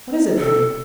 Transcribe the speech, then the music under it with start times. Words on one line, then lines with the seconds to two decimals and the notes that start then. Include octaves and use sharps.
"What is it then?"
0.38 A4